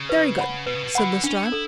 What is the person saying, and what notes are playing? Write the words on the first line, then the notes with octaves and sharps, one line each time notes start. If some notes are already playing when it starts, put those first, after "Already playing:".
"Very good," said Lestrade.
Already playing: C#3
B4
F#5 B5
B2 B4
C#3
B2
D3 F#5 B5
C#4 D4
E4
A4